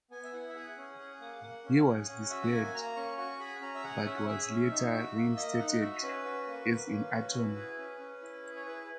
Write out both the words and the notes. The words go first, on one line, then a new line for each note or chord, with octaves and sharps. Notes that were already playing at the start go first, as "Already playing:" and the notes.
He was disbarred, but was later reinstated, as an attorney.
B3 G#5
E5
E4 F#5
E5
G#4 F#5
C#4
G#4
A#3
A#3
C#4
G#4
C#4 F#5
F#4 E5
F#5
A#3 G#5
A#3 A#5
C#4 C#6
F#4 C#6
G#4 B5
C#4 A#5
E5
G#4 F#5
C#4 E5
F#5
G#4 E5
C#4
D#4
F#4
A#3
A#3 D#5
D#4 F#5
D#5
F#4 E5
C#4 B4
F#4
A#3
A#3
C#4
F#4
E4
G#4
C#4
C#4
E4
G#4
C#5
E4 B4
B4